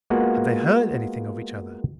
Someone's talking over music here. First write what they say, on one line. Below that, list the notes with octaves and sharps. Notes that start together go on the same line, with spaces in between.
Had they heard anything of each other?
G#3 A#3 B3 F4 F#4 F#5